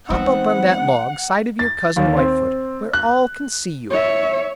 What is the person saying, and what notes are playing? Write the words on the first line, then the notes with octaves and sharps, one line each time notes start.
"Hop up on that log side of your Cousin Whitefoot, where all can see you."
E3 G#3 B3 C4 D#4 F#5
A6
D#2
C4
F#6
C#5 E5